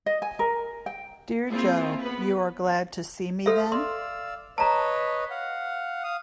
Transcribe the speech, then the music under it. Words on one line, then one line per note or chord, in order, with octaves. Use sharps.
Dear Jo, you are glad to see me, then?
D#5
G#5
A#4
G5
A#3 C4 E4 F4 G#4
B3 B4
A4 C5 E5 F5
D5 F5 C6 E6
B4 C#5 D#5 A5 A#5
F5 F#5
F5 D#6